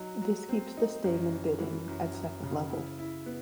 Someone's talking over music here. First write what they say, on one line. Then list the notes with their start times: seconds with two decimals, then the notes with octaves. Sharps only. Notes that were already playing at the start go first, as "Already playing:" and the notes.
This keeps the Stayman bidding at second level.
Already playing: F#3 D#4
0.22 F#3
0.49 C4
0.77 D#4
1.04 F#2
1.32 E3
1.60 E3
1.88 F#2
2.15 F#2
2.43 C#3
2.70 E4
2.99 E4
3.26 B3